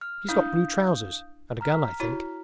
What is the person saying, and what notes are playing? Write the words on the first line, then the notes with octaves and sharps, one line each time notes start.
He's got blue trousers, and a gun I think....
F6
D4 E4 F5 D#6 G6
A#5 F6 B6
E4 F#4 C#5